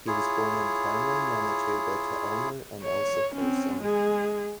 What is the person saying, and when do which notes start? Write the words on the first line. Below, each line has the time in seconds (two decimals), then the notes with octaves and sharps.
He was born in Carman, Manitoba to Elmer and Elsa Carson.
0.07 E4 F4 G#4 C#5
2.83 C#5
3.36 C4 C#4
3.82 G#3 G#4